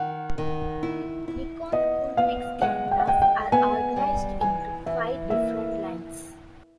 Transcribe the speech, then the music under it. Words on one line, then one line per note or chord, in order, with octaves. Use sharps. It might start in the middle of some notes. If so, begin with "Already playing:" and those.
Nikon Coolpix cameras are organized into five different lines.
Already playing: D#3 F#5
D#3
E4
E4
B3 D#5
B3 F5
G#3 F#5
G5
F#5
G#3 G5
G5
B3 G#5
G3
E3 G#5
E3 E5
A#3 E5